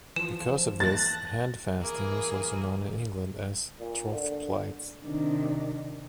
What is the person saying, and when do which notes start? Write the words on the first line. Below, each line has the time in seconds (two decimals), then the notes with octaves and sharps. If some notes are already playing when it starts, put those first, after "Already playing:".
Because of this, handfasting was also known in England as "troth-plight".
0.16 E3 F3 E7
0.80 A5 F#6 A6 A#6
1.79 E3 A#3 G#4
3.79 A#2
4.14 D3
5.03 C3 D#3 D4